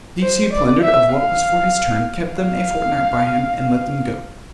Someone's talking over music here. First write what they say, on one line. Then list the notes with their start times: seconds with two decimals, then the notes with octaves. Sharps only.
These he plundered of what was for his turn, kept them a fortnight by him, and let them go.
0.23 C5
0.53 D5
0.83 E5
1.13 F5
2.34 F5